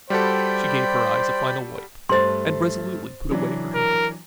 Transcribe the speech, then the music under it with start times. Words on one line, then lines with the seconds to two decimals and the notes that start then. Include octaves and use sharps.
She gave her eyes a final wipe, and resolutely put away her handkerchief.
0.10 G3 F#4 A4 C5 D5 G5 B5
2.09 G2 A3 C5 C6 A6
3.31 E3 F#3 D4
3.75 A#4